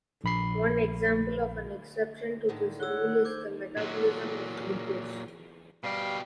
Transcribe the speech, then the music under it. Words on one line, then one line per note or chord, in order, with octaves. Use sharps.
One example of an exception to this "rule" is the metabolism of glucose.
A#1 B5 C7
A2 D3 D#3
C#5 F#5 E6 G7
C5 D6 G6 G#6
A#2 F#3
B2 G3 G4 F5